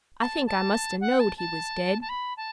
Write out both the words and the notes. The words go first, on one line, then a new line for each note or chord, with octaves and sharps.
I think I must 'a' knowed he was dead.
A5
A5
F#5
A5
A5
A5
B5
A5